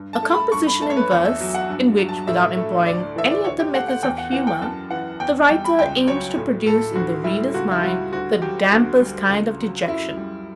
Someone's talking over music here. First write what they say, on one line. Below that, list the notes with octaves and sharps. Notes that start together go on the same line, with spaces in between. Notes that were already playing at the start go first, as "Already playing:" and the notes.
A composition in verse, in which, without employing any of the methods of humor, the writer aims to produce in the reader's mind the dampest kind of dejection.
Already playing: G2
A5
A3
B5
G2 C#6
B5
A3 A5
C#5
B4
E2 C#5
E5
F#3
F#5
G2
F#3
A5
A2 E5
A3
D2 D5
E3 E5
D5
D2 C#5
G4
A3 F#5
F#5
E2 G5
F#5
E3 F#5
G5
F#2 A5
E3 F#5
E2 G5
G3 G5
B5
C#2 G5
F#3 C#5
A2
A2 A4
D2 F#4
G3 E4
C#2 F#4
E4
G3 F#4
D2 F#4
F#3 G4
D2 F#4
G3
C#2
F#3
F#2 E4
G3